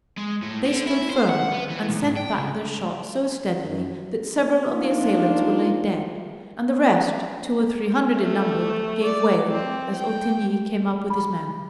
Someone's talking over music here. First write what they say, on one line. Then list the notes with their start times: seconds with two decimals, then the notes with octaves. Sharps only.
They stood firm, and sent back their shot so steadily that several of the assailants were laid dead, and the rest, two or three hundred in number, gave way as Ottigny came up with his men.
0.18 G#3
0.42 A2
0.66 D3
0.87 E4
1.10 C5
1.29 F#5
1.52 B3
1.69 E3
1.88 B1
2.03 G#2
2.16 G5
2.35 C#2
3.64 F#2
4.66 A#2 F3 A#3 D4 D#4 F4
8.14 A3
9.04 D5
9.49 C4
9.96 G5
11.10 B5